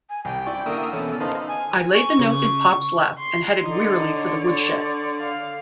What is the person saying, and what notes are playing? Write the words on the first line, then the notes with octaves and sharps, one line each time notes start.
I laid the note in Pop's lap and headed wearily for the woodshed.
G#5
C2 G5
E4 D5 C#6
D3 A#3 A#4 E5 D#6
B2 E3 C#4 A4
D3 D#4 B4 C5 D#5 F5 A5
G#5
C#6
C#3
C6
D3 D#4
C#5
F5